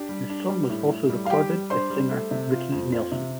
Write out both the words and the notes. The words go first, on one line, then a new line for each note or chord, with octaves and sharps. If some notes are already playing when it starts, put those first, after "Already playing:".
The song was also recorded by singer Ricky Nelson.
Already playing: D4 G4
G3
D4
G3
A2
A2
G3
F5
G3 G4 G5
G3
D4 C5 C6
G3
A3
C3
F4
F2
F4
C3